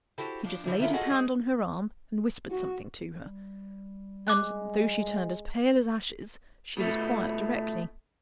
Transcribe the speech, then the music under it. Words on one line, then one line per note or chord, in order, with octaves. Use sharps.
He just laid his hand on her arm, and whispered something to her; and, though she turned as pale as ashes, she was quiet directly.
E4 F#4 G4 A4 C5
F3 D4
E3 F3 G3 D4
D#3 A3 C#4 E4 F4 A4
F4 F#4 G#4 A4 D#5 F#5
G#3 G#4
F#4
G3
G#3 D6 F#6
B2 A3